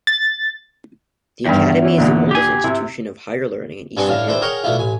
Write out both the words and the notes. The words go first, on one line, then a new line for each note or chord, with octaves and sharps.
The academy is the oldest institution of higher learning in Eastern Europe.
A6
E2 G2 D#3
E3 C#4
D#2 A#2 D3
G4 G#5
C3 E4
G2 B3 C4 D4 G#5
A2 D4 F5 A5
D4 E4 C5 G5
G#4 A#4 C#5 F#5 G5
B2 A3 D4 E4 F4
A1 G#5